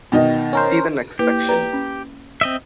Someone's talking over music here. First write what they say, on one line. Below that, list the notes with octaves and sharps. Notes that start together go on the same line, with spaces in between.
See the next section.
B2 D#3 D#5
C#4 A#4 C5
A#3 E4 G4 B4
B4 D5 A#5
C#4
C4 D#5 E5